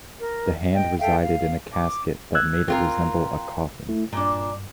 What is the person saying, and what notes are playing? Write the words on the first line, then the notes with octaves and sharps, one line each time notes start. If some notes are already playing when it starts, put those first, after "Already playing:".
The Hand resided in a casket that made it resemble a coffin.
A#4
D#5 G5
A4 E5 F5 G5
F5
D6
E6 F#6 G#6
C4 F4 A#4
A3 E4
G2 A#2 D4